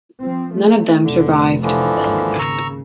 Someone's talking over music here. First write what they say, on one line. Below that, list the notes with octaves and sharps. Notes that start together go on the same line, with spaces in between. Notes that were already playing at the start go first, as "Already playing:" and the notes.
None of them survived.
F3 C4
A3
F1 D3
D3 E3 F3
G#1 D#2 G#2
C#3 A#5 C#6 E6